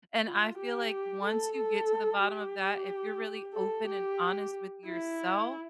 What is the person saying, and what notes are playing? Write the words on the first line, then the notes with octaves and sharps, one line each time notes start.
And I feel like once you get to the bottom of that, if you're really open and honest with yourself
F4
G4
A4
A4
G4
A4
G4
E4